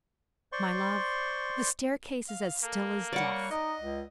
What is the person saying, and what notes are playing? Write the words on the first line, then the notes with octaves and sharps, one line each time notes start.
"My love, the staircase is as still as Death."
C5 D5 C6 C#6
F5
A#3 A4
G3 C#5 D5 F#5
D#4 D#5
C#2